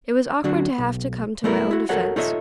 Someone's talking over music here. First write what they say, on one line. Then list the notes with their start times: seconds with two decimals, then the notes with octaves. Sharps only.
It was awkward to have to come to my own defense.
0.44 D3 F#3 D4 F#4
0.78 B1
1.44 A3 B3 E4 A4 A#4
1.71 E4 F#4
1.89 F#4 A4 A#4 C#5 F#5
2.16 D#4 F4 A4 C#5 D#5 E5